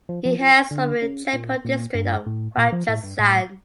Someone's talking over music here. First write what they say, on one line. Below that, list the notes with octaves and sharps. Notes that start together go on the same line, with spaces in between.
He hails from Jaipur district of Rajasthan.
F3
F3
F3
D3
C#3
A#2
A#2
G2
A2
A#2
F3
A2
G2
A2